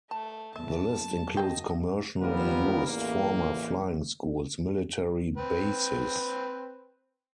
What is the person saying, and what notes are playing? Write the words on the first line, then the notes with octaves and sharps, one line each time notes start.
The list includes commercially used, former, flying schools, military bases.
A3 A5
E2 E5 A5
F#2
F#3 A#3 D#5 G5
F#1 D#2 G3 B3 F4 A#4
A1 E2 A#3
C4 B4